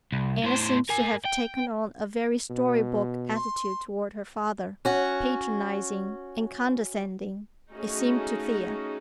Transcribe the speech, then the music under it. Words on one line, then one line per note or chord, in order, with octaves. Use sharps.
Anna seemed to have taken on a very story-book attitude toward her father; patronizing and condescending, it seemed to Thea.
C2
A2 C5
A#4 G#5
G5
B2
C6
C#4 F#4
A3 C#4 D#4 F#4 G#4